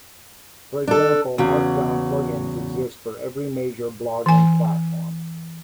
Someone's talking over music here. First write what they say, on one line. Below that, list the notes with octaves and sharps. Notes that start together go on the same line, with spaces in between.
For example, Markdown plugins exist for every major blogging platform.
D4 A4
E2 C#3 F#4
E3 G#5